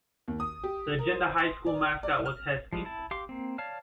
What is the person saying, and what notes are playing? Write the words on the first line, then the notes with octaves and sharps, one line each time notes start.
The Agenda High School mascot was Huskies.
D#2
D#6
G4
A#4
C5
C6
D5
D5
F6
F3 G3 G#3
E4 A5
G4 F5 C6 D6
A#3 C4
C#5 D5 F5 A5 F6